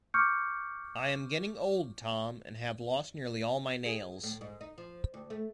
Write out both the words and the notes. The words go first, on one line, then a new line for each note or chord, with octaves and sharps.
I am getting old, Tom, and have lost nearly all my nails.
C#6 D6 F6 G6 C#7
G#4
A2
G#2
D#4
F3
D2
A3